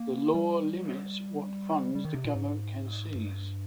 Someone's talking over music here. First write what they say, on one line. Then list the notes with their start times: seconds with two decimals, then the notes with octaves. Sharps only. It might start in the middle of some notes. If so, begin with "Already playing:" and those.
The law limits what funds the government can seize.
Already playing: A#3
0.34 G3
1.95 G3
2.05 D#3
2.14 C3
2.25 A#2
2.35 G#2
3.15 G2